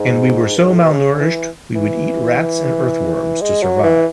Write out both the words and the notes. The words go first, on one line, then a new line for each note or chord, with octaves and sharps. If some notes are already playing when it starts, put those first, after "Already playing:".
And we were so malnourished, we would eat rats and earthworms to survive.
Already playing: G#2
F#2
G#2
A2
B2
C#3
E3
E3
G#3
F#3
E3